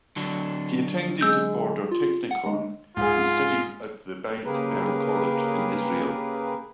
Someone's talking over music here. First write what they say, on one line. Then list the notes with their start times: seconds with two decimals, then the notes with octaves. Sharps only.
He attended Border Technikon and studied at the Beit Berl College in Israel.
0.16 D3 F#3 D4
1.21 G#3 E6 G6
1.91 F4
2.31 F#5
2.46 G#3
2.97 G#2 F4 G#4
4.45 C#3 A#3 G4 G#4 A#4 B4